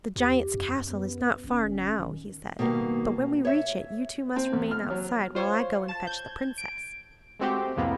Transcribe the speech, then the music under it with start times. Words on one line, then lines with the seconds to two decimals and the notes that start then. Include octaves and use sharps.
'The giant's castle is not far now,' he said, 'but when we reach it you two must remain outside while I go and fetch the princess.
0.16 E2 G4
0.54 F#2
0.88 B3
1.44 G1 C#4
1.99 D#1 D#3
2.59 B2 D#3 G3 A#3 B3
3.45 C#5 E5
4.36 C4
4.53 E2
4.71 F6
4.90 F#3
5.35 F4 C5 C#5
5.88 A5 E7
6.07 G6 G#6
6.58 D7
7.39 G#3 A3 C4 F#4 G4
7.76 C2 F2 A2 A#3 B3